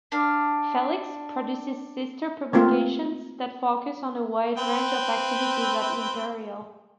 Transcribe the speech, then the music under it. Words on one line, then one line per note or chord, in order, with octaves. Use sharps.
"Felix" produces sister publications that focus on a wide range of activities at Imperial.
D4 F5
A3 A#3 C4 F4
C4 B4 G5